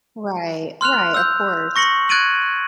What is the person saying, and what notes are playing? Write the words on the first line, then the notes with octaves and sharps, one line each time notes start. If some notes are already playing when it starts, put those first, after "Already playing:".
Right. Right. Of course.
C6 F6 F#6 F7
E6 G6
C#6 A#6 C#7 F#7
F#6 G#6 A6 D7 D#7 F#7